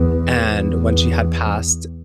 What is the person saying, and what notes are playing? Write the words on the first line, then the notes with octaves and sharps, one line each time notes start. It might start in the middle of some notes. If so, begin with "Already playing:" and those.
and when she had passed,
Already playing: E2
E2